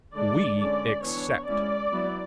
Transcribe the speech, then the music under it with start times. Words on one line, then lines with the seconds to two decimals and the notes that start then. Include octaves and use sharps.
We accept.
0.15 D3 G#3 D4 D5
0.59 D3 G#3 C#4 D5
1.04 E3 B3 D4 C#5
1.48 G#3 C#4 E4 D5
1.92 F#3 B3 E4